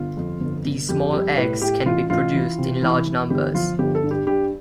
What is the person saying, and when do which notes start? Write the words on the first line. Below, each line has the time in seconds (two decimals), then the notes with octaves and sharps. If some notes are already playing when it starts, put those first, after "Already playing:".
These small eggs can be produced in large numbers.
Already playing: G1 F4
0.17 F2
0.41 G1
0.65 G1
0.89 F2 G4
1.13 G3 G4
1.37 A2 B4
1.61 A2 G4
1.86 A1 F4
2.10 A1 F4
2.34 E3
2.58 C3
2.82 E3
3.07 E3
3.30 G1 G4
3.54 F3 F4
3.79 G1 G4
3.95 A4
4.03 G2
4.11 G4
4.27 G2 G4